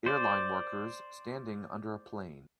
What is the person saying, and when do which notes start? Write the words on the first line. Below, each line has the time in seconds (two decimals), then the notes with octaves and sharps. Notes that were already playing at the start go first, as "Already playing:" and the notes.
Airline workers standing under a plane.
0.06 C5 D5